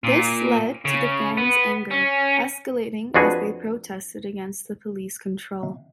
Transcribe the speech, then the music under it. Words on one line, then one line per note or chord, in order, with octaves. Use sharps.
This led to the fans' anger escalating as they protested against the police control.
A#2
C#3
B3
C#4
F2 D4 F#4 G#4 B4 G#5